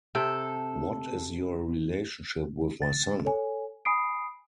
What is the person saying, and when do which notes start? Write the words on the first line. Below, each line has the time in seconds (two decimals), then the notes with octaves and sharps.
What is your relationship with my son?
0.15 C3 A4 G5
2.82 A6
3.25 A4 C#5 G#5
3.85 G#5 B5 D#6 C7 D7